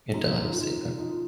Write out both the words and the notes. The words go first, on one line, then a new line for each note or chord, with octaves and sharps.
It does, yeah.
F#2 D#4
F4
F#2 D#4
F3 D#4